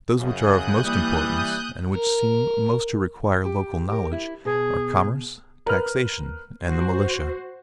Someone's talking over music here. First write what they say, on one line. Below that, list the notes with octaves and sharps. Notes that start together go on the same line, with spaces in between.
Those which are of most importance, and which seem most to require local knowledge, are commerce, taxation, and the militia.
F#2 C#3 D#6 F#6 G6
E3 G3 A#3
A#4
G4
G4 A#4
E4
B2 G#4
A#4 B4 F6
F#4 C5